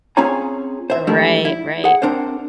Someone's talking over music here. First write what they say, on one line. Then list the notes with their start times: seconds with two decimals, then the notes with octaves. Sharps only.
Right, right.
0.17 C4 C#4 F4 G#4 C#5 A#5
0.90 C5 E5
1.07 G#2 F3 G3 A3 D4 E4
1.45 E4
1.84 G#4 F#5
2.02 C4 D4 A#4 C5